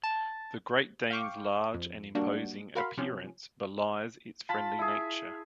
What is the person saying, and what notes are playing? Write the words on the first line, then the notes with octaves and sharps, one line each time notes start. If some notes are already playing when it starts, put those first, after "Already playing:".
The Great Dane's large and imposing appearance belies its friendly nature.
A5
F5 G5 C#6 D6
F2
G3 A#3 D4 F#4
F#4 A#4 F5 B5 C6
C3 F3 C#4
F4 A5 B5
E4 G#4